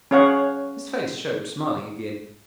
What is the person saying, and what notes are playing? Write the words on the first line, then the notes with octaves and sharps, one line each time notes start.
His face showed smiling again.
C#4 G#4 C#5 F5 F#5